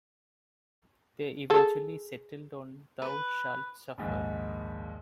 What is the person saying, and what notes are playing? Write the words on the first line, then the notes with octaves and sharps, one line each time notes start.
They eventually settled on Thou Shalt Suffer.
G#4 A4
B4
A#1 D#2 G#2